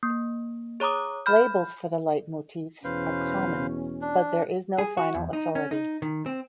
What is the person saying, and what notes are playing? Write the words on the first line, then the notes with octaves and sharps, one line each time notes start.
Labels for the leitmotifs are common, but there is no final authority.
A#3
G#4 C#5 A#5 D6 D#6
B5 F6 G6
E2 B2 C#4 B4 C5 F5
D4
G#4
F#4
E2
D#4
C#4
D#4
D#3
C4